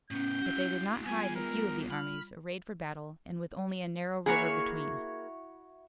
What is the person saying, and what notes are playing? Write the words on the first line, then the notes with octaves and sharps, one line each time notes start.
But they did not hide the view of the armies, arrayed for battle, and with only a narrow river between.
A2 B3 C#4 G6
E4 F#4
G3 B3 F4 G#4 G#5
A#4
B5 F6
A#3 E4 F#4 G#4 C#5